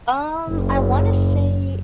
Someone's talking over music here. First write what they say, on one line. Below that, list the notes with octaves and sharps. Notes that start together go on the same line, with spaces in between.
Um, I wanna say
F#1